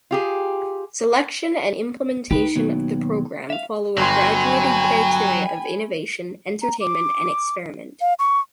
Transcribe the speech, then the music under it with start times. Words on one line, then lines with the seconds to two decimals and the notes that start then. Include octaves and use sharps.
Selection and implementation of the program follow a graduated criteria of innovation, entertainment and experiment.
0.11 F4 G4 G#4
2.31 D#4 G4 B4
2.56 D#2 B2 F#3
3.50 E5 F5
3.97 G1 F#3 G5 G#5 B5 C6
6.62 A#5
6.81 D6
8.01 F5
8.19 C#6